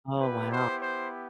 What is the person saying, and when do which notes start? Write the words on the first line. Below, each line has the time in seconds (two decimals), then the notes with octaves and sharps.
Oh wow.
0.18 B3 E4 G4 B4
0.49 C5
0.79 C5